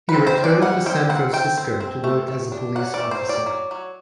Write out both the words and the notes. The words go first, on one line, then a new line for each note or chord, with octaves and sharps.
He returned to San Francisco to work as a police officer.
B4
C4
C5
C4
D5
G3 F#5
C4 G5
C4 F#5
C4 G5
C4
C4
A3
A3
D4
F#3 F#5
D5
A3
C5
F#3
D5
F#3
F#3